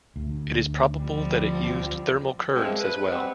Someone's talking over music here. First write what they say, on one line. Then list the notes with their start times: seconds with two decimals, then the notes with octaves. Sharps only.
It is probable that it used thermal currents as well.
0.16 D2
1.01 F3 G3 C4
2.56 E2 A#2 F3 G#3 C4
2.81 B4
3.12 G3 G#3 B3 C4